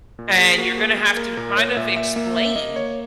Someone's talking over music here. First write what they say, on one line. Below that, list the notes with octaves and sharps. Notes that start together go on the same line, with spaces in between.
and you're gonna have to kind of explain
A#2
G#4
A#3 F#4
G#4
A#3 G#4
A#4
A#2 A#4
C#5
A#2 E5
E5
A#3 E5
E5
A#3 D#5
C#5